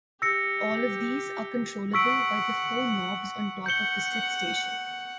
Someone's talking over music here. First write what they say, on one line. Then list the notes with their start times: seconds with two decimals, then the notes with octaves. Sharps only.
All of these are controllable by the four knobs on top of the SidStation.
0.21 G4 E6 A#6 C#7
1.94 F#5 C#6 E6 B6 D7
3.66 F#5 G6 C#7 G7